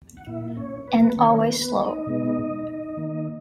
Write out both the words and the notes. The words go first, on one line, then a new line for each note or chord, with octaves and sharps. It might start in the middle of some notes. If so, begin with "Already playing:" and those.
And always slow.
F#5
A#2 A#3 E4 E5
C#4 C#5
B4
A#4
B3 B4
D#3 A#3 C#4 C#5
A#4
B3 B4
B3 B4
C#5
D#4 D#5
B2 G#3 B3
D#3 A#3